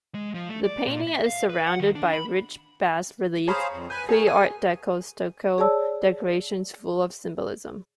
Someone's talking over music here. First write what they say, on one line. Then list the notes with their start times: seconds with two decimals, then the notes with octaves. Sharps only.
The painting is surrounded by rich bas-relief, pre-art deco stucco decorations full of symbolism.
0.15 G#3
0.35 F3
0.49 A3
0.64 D5
0.87 A#2
1.07 E5
1.26 F5
1.49 B4
1.66 F#5
1.80 D#3
1.95 D4
2.13 B5
3.47 G#4 C5 C#5 F5 A#5 B5
3.72 F2
3.90 B4 G#5 G6
4.09 G#4 A#4 C#5
4.27 G#4 G#5
5.58 G#4 C#5 D5 A5 E6